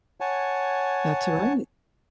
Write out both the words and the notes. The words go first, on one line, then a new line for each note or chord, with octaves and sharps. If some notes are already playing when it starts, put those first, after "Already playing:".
That's right.
C#5 F#5 G#5 A5